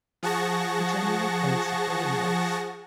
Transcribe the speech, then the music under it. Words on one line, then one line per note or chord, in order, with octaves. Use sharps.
He generally played supporting roles.
F3 G#4 F#5 A5 C#6 A#6